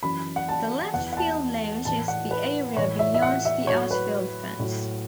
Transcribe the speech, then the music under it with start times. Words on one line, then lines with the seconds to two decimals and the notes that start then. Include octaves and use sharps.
The Left Field Lounge is the area beyond the outfield fence.
0.03 F#2 E3 B5
0.36 F#5
0.49 A5
0.94 E2 F#5
0.98 E3
1.13 F#5
1.17 A5
1.85 A2 E3 A5
2.08 F#5
2.31 B4
2.77 A2 E3 C#5
2.99 E5
3.14 E5
3.22 F#5
3.45 E5
3.67 A2 F#3 C#5
3.91 B4
4.59 A2 F#3